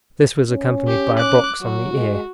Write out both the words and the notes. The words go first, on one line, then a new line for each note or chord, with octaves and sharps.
This was accompanied by a box on the ear.
C#4
G4
D6 F#6
F#3 F#4
G#3